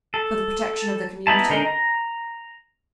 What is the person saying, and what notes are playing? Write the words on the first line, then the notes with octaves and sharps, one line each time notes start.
"For the protection of the community?"
A4
B3 D#4 E4 A5
D3 G#3 D#4 A#4
A#5